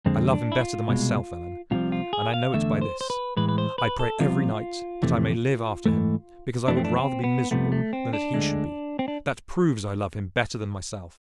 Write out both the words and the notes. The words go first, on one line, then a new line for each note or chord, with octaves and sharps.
I love him better than myself, Ellen; and I know it by this: I pray every night that I may live after him; because I would rather be miserable than that he should be: that proves I love him better than myself.'
F2 D3 G#3 C4
D4
E4
F4
C2 B2 G#3
C2 C3 F3 F4
F4
G#4
F5
E2 D3 A3 E5
C5
C5
B4
A2 E3 G#3 B4
B4
C5
B4
A4
C2 C3 F3 F4
F2 C3 E3 A3
G#2 E3 A3
F2 E3 A3 D4
C4
D4
C4
B3
C2 C3 F3 A3 B3
A3
C4
D4
D2 D3 G#3
C4
D4